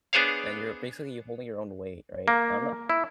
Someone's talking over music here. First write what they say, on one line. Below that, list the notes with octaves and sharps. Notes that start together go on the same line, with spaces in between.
and you're basically holding your own weight, right? I'm not
B3 D4 G#4 C5 C#5 F5
A#3
E4